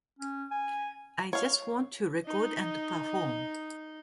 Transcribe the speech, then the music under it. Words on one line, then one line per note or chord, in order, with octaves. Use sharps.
I just want to record and perform.
C#4
G#5
C#5 F5
D#4 D#5